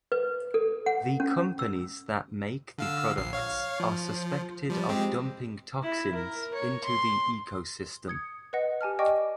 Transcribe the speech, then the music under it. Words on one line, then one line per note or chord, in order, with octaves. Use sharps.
The companies that make the products are suspected of dumping toxins into the ecosystem.
B4
A4
F#5
C#4
E6
D3 F5 E6
A#1 C7
C#5 F5
F3
F3 G3
G#3 C4 G4
E4
A#4
C#5
C6
D#6 G#6 C#7
B4 D#5 F#5 A#6
G4 G#5 A5 F6
D5 D#5 G5 G#5 C#6 D6